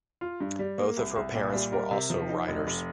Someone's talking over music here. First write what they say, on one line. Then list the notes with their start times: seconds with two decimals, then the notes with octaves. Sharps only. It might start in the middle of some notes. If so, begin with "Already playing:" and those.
Both of her parents were also writers.
0.21 F4
0.40 G2
0.59 G3
0.78 A#3
0.97 C2
1.16 C2
1.35 A#2
1.53 G3
1.73 A#4
1.91 C3
2.10 F3
2.29 D#4
2.48 F1
2.67 F1